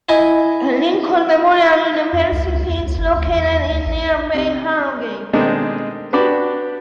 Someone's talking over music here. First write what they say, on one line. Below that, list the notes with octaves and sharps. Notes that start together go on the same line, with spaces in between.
Lincoln Memorial University is located in nearby Harrogate.
E4 D#5 G#5
F2
C#2
C#2
E2
C#2
G1
D2
E2
D2
A#1
C3
B2 D#3 G#3 A3 C4 D4
B3 D4 F#4 G4 D5 B5